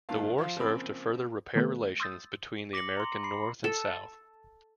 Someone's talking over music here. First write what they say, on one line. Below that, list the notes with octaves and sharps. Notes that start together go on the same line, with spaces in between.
The war served to further repair relations between the American North and South.
G2 A#2 D#3 F5 A5
F3 F4
C#3 F3 A#3 C4 B5
D#3 A3 B3 A4 B4
C6 D#6 E6 G6 A6
D6 A#6 C#7 F#7
A#5 C6
B5 C7
A4